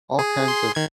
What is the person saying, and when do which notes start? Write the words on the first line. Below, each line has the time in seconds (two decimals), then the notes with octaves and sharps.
all kinds of,
0.19 G#4
0.46 G#4 C6
0.75 D#3 G#6